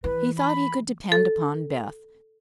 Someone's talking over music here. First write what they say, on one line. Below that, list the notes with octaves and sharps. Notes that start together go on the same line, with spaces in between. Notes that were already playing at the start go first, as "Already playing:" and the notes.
He thought he could depend upon Beth.
E3 B4
B5
A4